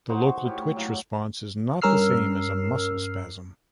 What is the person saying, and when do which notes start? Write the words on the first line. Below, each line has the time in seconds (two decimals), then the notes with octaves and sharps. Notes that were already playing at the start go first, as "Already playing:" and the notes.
The local twitch response is not the same as a muscle spasm.
0.09 D#4 F#4 C5 C#6
0.45 A2 G4 C#5
0.76 A2 F#3 A#3
1.82 G2 C#4 A#4 E6 F6 C7